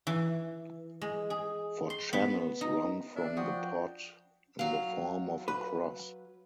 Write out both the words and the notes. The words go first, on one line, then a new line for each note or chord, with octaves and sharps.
For channels run from the pot in the form of a cross.
E3
G#3
G#4
C6
B3
D#4
B3 D4 E5
F3 F#4 G5 C#6 D#6
F#3 F5
B4